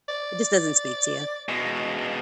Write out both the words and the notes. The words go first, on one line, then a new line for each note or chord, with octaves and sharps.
It just doesn't speak to ya.
D5
B2 G#3